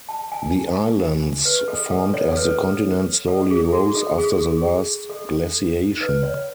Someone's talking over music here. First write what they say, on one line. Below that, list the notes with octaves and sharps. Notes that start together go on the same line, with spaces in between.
The islands formed as the continent slowly rose after the last glaciation.
A5
G#5
B4
A4
A4
C#5
A4
B4
A4
G#4
F#4
A4
G#4
A4
B4
C#5